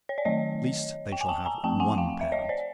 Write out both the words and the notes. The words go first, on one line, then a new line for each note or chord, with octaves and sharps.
At least, they shall have ONE parent.
C#5
D5
D#3 F#3 A3 C#5 D#5
G5
G#5
G5 A5
G#5 A#5
F3 A3 C4 G5 A5
F#5 G#5
F5 G5
E5
C#5 D#5
C5 D5